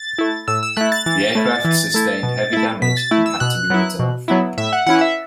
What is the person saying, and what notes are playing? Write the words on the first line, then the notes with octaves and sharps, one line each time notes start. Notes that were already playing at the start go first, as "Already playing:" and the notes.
The aircraft sustained heavy damage and had to be written off.
Already playing: A6
A3 E4
A2 E6
E6
A3 E4 F#6
A6
E3 A6
A3 E4
E3
A3 E4
B2
A3 E4
B2 B6
A6
A3 E4
E6
B2 F#6
F#3 B3 E4
B2
F#3 B3 E4
A2 E5
F#5
E3 C#4 E4 F#5
E5